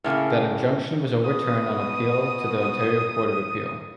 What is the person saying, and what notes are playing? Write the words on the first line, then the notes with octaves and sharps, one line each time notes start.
That injunction was overturned on appeal to the Ontario Court of Appeal.
A2 C#3 A#3
B2 D#6